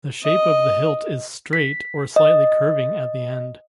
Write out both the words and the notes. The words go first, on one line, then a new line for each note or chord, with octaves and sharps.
The shape of the hilt is straight or slightly curving at the end.
D#5
B6
D#5